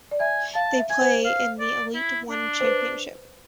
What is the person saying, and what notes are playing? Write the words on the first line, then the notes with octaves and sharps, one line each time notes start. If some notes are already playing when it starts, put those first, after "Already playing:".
They play in the Elite One Championship.
D5
E5 G#5
F5 A5
E5
G#5
C5
F5
D5
E4
D4
C5
B4